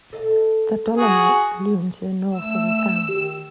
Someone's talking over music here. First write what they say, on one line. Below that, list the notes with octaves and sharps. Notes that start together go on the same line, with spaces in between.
The Dolomites loom to the north of the town.
A4 D#5 F5
F#4 G#4
A3 E6
D#3 G4